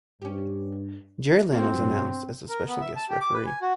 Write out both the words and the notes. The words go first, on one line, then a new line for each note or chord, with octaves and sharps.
Jerry Lynn was announced as the special guest referee.
G2 C#4 G4
A#3 C4 F4 F#4
G2 B2 F#3
A#4
B3
E5
A5
G4
D6
B4
G#5
F#4